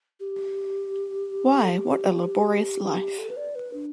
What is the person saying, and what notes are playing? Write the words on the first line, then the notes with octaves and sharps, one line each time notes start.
Why, what a laborious life!
G4
A4
G4
A4
B4
D5
B4
D4